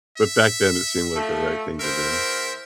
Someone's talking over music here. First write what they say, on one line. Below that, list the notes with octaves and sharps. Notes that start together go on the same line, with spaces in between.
but back then, it seemed like the right thing to do.
E5
F3 A3
E2 A#4 C5 E5